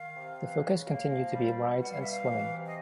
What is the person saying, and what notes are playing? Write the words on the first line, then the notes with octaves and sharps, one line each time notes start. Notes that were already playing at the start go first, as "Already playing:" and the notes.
The focus continued to be rides and swimming.
Already playing: D#3 F5
C3
E3
C#3
A#3 F5
F3
G3
B2
G3 F#5
F5
B2 E5
F5
E3
C3
D#5